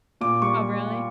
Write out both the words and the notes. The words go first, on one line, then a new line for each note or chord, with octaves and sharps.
Oh, really?
A#2 D6
G3 C#6